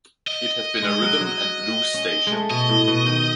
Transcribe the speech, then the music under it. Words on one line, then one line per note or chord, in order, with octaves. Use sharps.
It had been a rhythm and blues station.
D#5
G#3
F#3
F#3
C#4
G#3 A3
B2 D#5
A2
B2
D#3